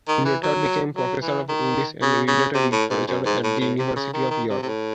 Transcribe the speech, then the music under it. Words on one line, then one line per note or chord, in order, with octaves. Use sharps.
He later became Professor of English and Related Literature at the University of York.
D#3
E3
F#3
F#3
E3
D#3
C#3
C#3
C3
A2
G#2
F#2
G#2
A2
A2
C3
C#3
D#3
D#3
C3
C3
A2